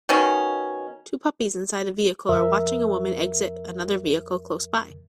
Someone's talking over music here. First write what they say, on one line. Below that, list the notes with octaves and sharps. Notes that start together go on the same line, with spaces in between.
Two puppies inside a vehicle are watching a woman exit another vehicle close by.
B2 D#3 C#4
F2 A#4 E5